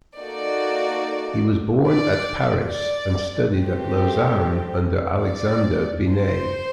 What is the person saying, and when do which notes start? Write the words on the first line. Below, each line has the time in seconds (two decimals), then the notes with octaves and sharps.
He was born at Paris, and studied at Lausanne under Alexandre Vinet.
0.17 A#3 D#4 F#4 A4 D5
1.86 D5
2.71 D5
3.56 A3 C4 G4
5.25 D5
6.10 C5